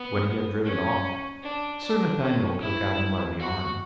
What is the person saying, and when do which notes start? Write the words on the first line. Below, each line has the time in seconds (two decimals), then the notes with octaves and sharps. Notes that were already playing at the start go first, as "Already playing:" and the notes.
When he had driven off, Sir Nathaniel took Adam by the arm.
Already playing: B3
0.65 C#4
1.43 D4
1.82 D4
2.22 C#4
2.61 E4
3.39 F#4